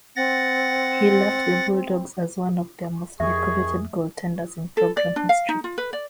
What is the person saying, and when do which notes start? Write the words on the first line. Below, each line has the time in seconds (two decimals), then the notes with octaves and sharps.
He left the Bulldogs as one of their most decorated goaltenders in program history.
0.16 C4 F#5 A6 A#6
3.20 C2 F2 D#3 G#4 E5 C#6
4.77 A4
4.97 D5
5.16 D4
5.29 F5
5.49 D#4
5.64 F4
5.78 B4
5.93 D5